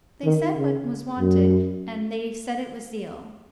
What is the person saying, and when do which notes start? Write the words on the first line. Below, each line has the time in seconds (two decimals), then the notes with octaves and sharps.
They said what was wanted and they said it with zeal.
0.24 D#3
0.56 C#3
1.19 F#2